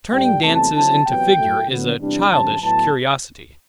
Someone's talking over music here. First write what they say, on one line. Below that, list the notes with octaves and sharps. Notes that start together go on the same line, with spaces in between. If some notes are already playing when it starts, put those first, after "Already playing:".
Turning dances into figure, is a childish curiosity.
A2 G3 D4 G5
E2 C3 F#3 A3 C4 A5
D3 F#3 C4 E4
E2 C3 F#3 B3 G5
A2 F#3 A3
D3 F#3 B3
E2 C3 E3 G3 D4
F#2 D3 G3 C4 A5
A2 F#3 B3 A5